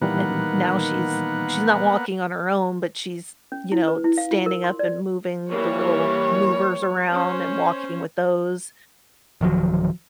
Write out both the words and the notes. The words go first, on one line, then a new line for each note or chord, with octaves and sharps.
and now she's she's not walking on her own, but she's, you know, standing up and moving the little movers around and walking with those,
A#2 D#3 E3 G3 A#3 B3 F#5
C#4
E4
B4
E4
F5
F4
A#4
C6
D5
E3 G3 A#3 C#5
C#4 C5
D1 D#3 F3 F#3